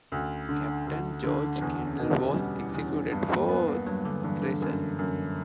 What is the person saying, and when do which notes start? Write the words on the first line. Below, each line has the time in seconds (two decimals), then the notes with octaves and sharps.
Captain George Kendall was executed for treason.
0.12 D2 C#4
0.49 D3
0.87 D2
1.24 D3
1.61 E2 B3
1.87 C#4
1.99 B2
2.11 C#4
2.36 G3 D4
2.62 E4
2.74 E2
2.80 D4
2.87 C#4
3.11 G2 B3
3.30 A#3
3.48 B3
3.68 A#3
3.87 G2 F#3
4.05 D3
4.23 G2 E3
4.42 D3
4.62 F#2
4.98 F#2